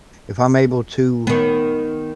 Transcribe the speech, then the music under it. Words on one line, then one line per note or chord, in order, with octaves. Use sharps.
If I'm able to
D#3 B3